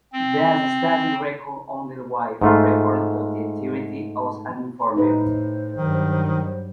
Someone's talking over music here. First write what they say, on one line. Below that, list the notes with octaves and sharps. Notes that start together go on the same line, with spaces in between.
The Stasi records on his wife referred to his activities as an informant.
C4
G#2 A3 F4
A2 D#4 B4 C5
G2 D#3 F#3